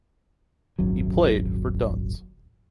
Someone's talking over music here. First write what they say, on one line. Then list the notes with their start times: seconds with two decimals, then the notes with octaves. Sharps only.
He played for Duns.
0.79 D#1 G#1 F#2 F#3